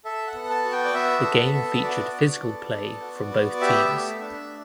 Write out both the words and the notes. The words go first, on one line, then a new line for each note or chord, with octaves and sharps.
The game featured physical play from both teams.
A4 E5
F#5
B3
A5
F#4 F#5
G5
D5
B3 E5
A4
B3
F#4 D5
B3
A4
B3
F#4
B3
G4 E5
A3
D4